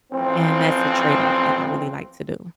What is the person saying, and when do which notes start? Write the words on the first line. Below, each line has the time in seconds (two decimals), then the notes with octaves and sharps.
and that's a trade off that I really like to do.
0.11 A1 F3 C4